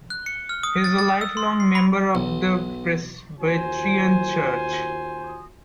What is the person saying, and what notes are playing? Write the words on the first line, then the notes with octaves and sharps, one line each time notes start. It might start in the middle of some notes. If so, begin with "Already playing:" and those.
He is a lifelong member of the Presbyterian Church.
F#6
C#7
F6
D#6
A6
A6
E6
C6
C7
B5
B1
D#2 F4 F#4 C5 G#5